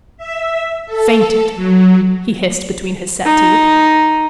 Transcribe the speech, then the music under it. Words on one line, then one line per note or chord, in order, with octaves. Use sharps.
"Fainted!" he hissed between his set teeth.
E5
A4
F#3
D#4